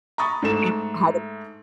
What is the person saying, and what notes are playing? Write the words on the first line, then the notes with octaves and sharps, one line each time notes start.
it had a
A#5 B5 C#6 D#6 A6
G#2 A3 A4 E7